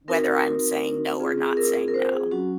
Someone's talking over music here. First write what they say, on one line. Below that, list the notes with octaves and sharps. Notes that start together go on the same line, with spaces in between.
whether I'm saying no or not saying no,
C4 D#4 F#4 A#4
C4 F4 G#4
G#4
G#4
A#4
G#4
A#4
C5
G#4
F#3 C#4 F#4